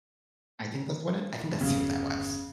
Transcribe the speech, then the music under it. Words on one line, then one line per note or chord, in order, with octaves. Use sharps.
I think that's what it I think that's who that was.
G1 E2 C#3